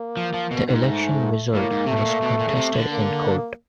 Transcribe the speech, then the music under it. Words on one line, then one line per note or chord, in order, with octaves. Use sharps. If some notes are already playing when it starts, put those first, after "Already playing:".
The election result was contested in court.
Already playing: A#3
F3
F3
B2
G#2
A3
A2 A#3
G#2
C3 A3
B2
A#2
B2
A#2
C#3
C3
D3
A#3